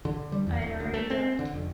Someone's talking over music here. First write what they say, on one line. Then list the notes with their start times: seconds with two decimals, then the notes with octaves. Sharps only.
I’d already left.
0.05 D3
0.32 G3
0.47 E2
0.62 D1
0.80 D2
0.94 A3
1.10 C4
1.39 D3
1.54 F1